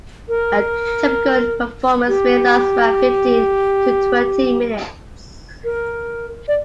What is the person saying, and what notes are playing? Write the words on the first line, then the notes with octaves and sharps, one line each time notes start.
A typical performance may last around fifteen to twenty minutes.
A#4
G4
A#4
D5